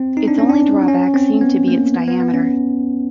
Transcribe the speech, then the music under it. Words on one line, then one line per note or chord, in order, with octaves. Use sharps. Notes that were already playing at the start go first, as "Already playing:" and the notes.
Its only drawback seemed to be its diameter.
Already playing: C4
D#4
D4
C#4
D4
C#4
C4
B3
A#3
B3
B3
B3
C#4